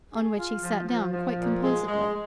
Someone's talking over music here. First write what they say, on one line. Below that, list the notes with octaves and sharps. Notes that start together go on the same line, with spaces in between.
On which he sat down quite composedly.
G#4
F4
F3
F3
F3
A#2
G#3
G#3